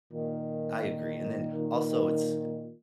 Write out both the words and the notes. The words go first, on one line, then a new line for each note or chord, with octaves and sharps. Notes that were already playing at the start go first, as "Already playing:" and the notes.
I agree, and then, also, it's
A#2 D#3